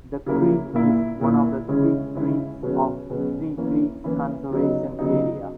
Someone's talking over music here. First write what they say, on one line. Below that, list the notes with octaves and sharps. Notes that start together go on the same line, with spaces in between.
The creek is one of the "three creeks" of Three Creeks Conservation Area.
C#3 F#3 A#3 E4 A#4
A#2 A#3 E4
A#2 A#3 E4
C#3 G#3 C#4 E4
C#3 G#3 C#4 E4
B2 F#3 C#4 G#4 B4
B2 F#3 C#4 G#4 B4
E3 A#3 C#4 E4
E3 A#3 C#4 E4
C#3 F#3 B3 D#4
C#3 F#3 B3 D#4